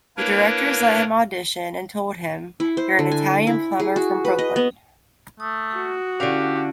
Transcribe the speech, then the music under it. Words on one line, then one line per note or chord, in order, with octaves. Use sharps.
The directors let him audition and told him, "You're an Italian plumber from Brooklyn".
A#3 D4 E4 A#4 B4 C#5
E4
C5
D3
G#5
E4
G#4
F#4
B4
D#5
B3
A3 D#6
F#4
D3 C#4 E4 G4 F5